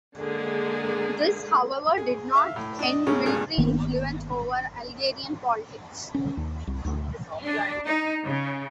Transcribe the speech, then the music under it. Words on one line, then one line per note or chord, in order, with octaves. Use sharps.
This, however, did not end military influence over Algerian politics.
D3 G#3 A#3 G#4
G#4
E5 F5
A2
D4 D#5
D#2 A2 C#3 G#3 C#4
G#1 G2 A#2 G#3 G#4
G1 D#3 A#3 B3
C#4
D#2
C2
D2
D4
D#4
C#3